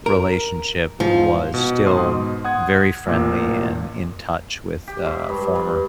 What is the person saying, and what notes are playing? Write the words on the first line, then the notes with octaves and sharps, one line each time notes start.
relationship was still very friendly and in touch with a former
A#4
G#2 F3
B2
G#2 B2 C6 D#6
F#5 D#6 G#6
A1 A#2 A#3
G4
G#2
G2
G2